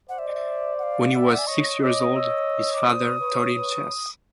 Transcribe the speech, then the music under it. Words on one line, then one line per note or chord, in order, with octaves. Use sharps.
When he was six years old, his father taught him chess.
C5 D5 F#5
E5
D#5
E5
F#5
F5
D5 E5 F#5
G5
F#5
G#5
C#5 D#5 C#6
C#5 D#5 D6
D#6
E6
D6
C5 D5 D#6
B4 C#5
B4 C#5